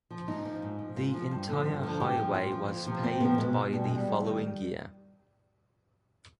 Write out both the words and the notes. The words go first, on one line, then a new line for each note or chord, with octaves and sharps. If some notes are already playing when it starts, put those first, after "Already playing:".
The entire highway was paved by the following year.
F3
G#2 D#4
F3
G#2
F3
G#2 F4
F3
G2
D3 F3
G2
D3 F3
G#2 G4
F3
G#2 F4
F3
F2
C3 F3
F2 C4
C3 F3 B3
B2 G#3
B2 G3
G#3
G3
F2
D#3